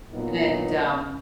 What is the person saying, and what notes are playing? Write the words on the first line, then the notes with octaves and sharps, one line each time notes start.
and um
A#2 F#3 B3 D#4